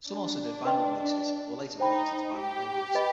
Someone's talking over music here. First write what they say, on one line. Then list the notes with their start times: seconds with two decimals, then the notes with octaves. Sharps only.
Some also did vinyl releases, or later developed into vinyl labels.
0.09 D4
0.65 B4 D#5 G5 C6
1.80 D#4 C5 G5 B5
2.37 G4
2.95 B4 D#5 B5